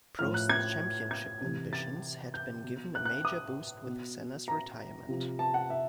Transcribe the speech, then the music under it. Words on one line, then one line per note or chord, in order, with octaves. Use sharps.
Prost's championship ambitions had been given a major boost with Senna's retirement.
A2 F3 F6
F#6
G#6
G#6
C3 E3
A6
G6
B2
F#6
F#6
D#6
B2
A#5
C3 F3
A5
F#5
E5